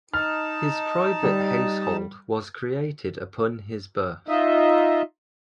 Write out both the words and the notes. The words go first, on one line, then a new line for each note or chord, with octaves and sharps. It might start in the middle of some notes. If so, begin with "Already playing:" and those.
His private household was created upon his birth.
D#4 A5 F6
G3
D#4 F4 D#5 E5